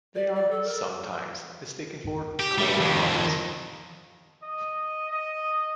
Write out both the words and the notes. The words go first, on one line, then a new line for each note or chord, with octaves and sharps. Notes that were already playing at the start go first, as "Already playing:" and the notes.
They are sometimes mistaken for coal lumps.
D5
D5
A4
A#4
G4
G3 A3
F2 D#3
D#5
D#5